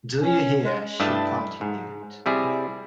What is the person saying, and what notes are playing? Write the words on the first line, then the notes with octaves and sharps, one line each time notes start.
'Do you hear?’ she continued.
C#4
G#3
G2 A3 D4 E4 D#5 A5
G#2
C3 G3 E4 G#4